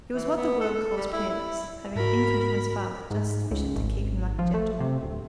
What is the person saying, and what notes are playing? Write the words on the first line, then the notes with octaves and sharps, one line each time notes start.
He was what the world calls penniless, having an income from his father just sufficient to keep him like a gentleman.
E3
B3
A4
A4
G3
E4
E4
G#2 F#4 A#4 B5
G#2
C#2
G#1
F3
A3
C3
D1